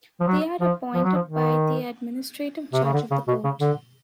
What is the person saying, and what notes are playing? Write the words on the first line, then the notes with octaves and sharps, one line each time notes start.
They are appointed by the administrative judge of the court.
F3
F#3
F3
F3
F#3
F3
D#3
C3
C#3
D3
C#3
B2
C#3
D3